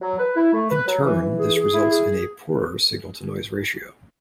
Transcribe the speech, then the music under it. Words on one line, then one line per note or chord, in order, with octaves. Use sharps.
In turn, this results in a poorer signal to noise ratio.
F#3
B4
E4
A3
B4
F#3
E3
E3
G#4
G#4
E4
G#4